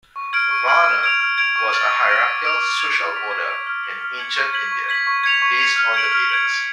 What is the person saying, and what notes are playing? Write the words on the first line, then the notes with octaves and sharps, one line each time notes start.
Varna was a hierarchical social order in ancient India, based on the Vedas.
C#6
F6 G#6 D7 F#7
C#6
F6 G#6 D7 F#7
F6
G#6 D7 F7
F6
G#6 D7 F7
C#6
F6 A6 D7 F#7
C#6
F6 A6 D7 F#7
D6
G#6 D7 F7
D6
G#6 D7 F7
G#6
B6 D7 F7
G#6
B6 D7 F7
F6
G#6 C#7 F#7
F6
G#6 C#7 F#7
C#6
G#6 B6 F#7
C#6
G#6 B6 F#7
C#6
G#6 C#7 F7
C#6
G#6 C#7 F7
F6
G#6 D7 F#7
F6
G#6 D7 F#7
F6